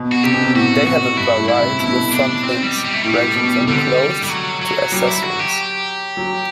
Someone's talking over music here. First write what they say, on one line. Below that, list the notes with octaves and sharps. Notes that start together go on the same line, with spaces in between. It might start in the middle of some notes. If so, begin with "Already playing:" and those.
They have a variety of fun things, ranging from clothes to accessories.
Already playing: B2
F#4
C3 G4
B2
C3
A2 F#4
F#4
G2 E4
A2
E4
C3
B2 E4
A2
B2
D4
C4
G3
G3
A3
A2 G3
B2
C3
D3 G3
G3
F#3
F#3
F#3 G3
E4
F#4
G4
F#3